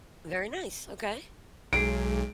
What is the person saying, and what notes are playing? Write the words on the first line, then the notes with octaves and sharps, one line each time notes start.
Very nice, okay.
B1 G#3 G#4 D7